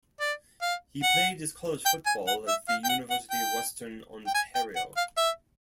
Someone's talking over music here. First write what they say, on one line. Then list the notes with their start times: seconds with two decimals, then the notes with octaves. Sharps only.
He played his college football at the University of Western Ontario.
0.20 D5
0.62 F5
1.03 F#5
1.86 G5
2.06 G#5
2.27 F#5
2.48 E5
2.69 F5
2.84 G5
2.89 F#5
3.10 F#5
3.31 G5
4.27 G5
4.34 G#5
4.55 G5
4.76 F#5
4.97 F5
5.17 E5